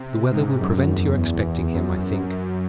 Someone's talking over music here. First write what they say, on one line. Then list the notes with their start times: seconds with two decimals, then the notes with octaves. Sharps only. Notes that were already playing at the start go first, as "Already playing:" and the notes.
The weather will prevent your expecting him, I think.
Already playing: C3
0.32 G#2
0.60 F#2
0.89 E2
1.17 E2
1.75 F#2
2.32 F#2